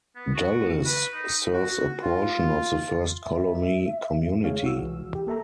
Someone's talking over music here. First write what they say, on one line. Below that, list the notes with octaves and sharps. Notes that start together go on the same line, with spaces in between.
Dulles serves a portion of the First Colony community.
B3
F#4
B4
D#4
F#4
F4
E5
G#3 G#4 C#5 F5
F#4 E6
C2 E3
G4
A#3 A4 E5 A#5